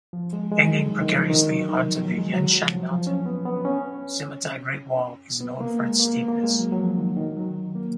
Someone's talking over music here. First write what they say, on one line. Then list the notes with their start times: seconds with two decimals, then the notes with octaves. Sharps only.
Hanging precariously onto the Yanshan Mountain, Simatai Great Wall is known for its steepness.
0.13 F3
0.33 G#3
0.52 G#3
0.71 F#3
0.86 D#3
1.01 D#3
1.15 F3
1.30 D#3
1.50 F#3
1.69 D#3
1.89 F3
2.03 F#3
2.18 G#3
2.33 F#3
2.62 F3
2.77 F#3
2.92 F3
3.07 C#4
3.26 B3
3.46 B3
3.65 C#4
5.40 B3
5.61 A#3
5.80 G#3
6.00 A#3
6.14 B3
6.28 A#3
6.43 G#3
6.59 F#3
6.72 F#3
6.78 F3
6.97 D#3
7.17 D#3
7.37 F#3
7.75 A#3